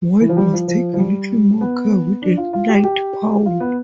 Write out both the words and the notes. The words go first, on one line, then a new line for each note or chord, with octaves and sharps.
White must take a little more care with a knight pawn.
E3
F3
G3
F3
F3
F3
G3
B3
D4
F4
F4
G4
G4
F4
B3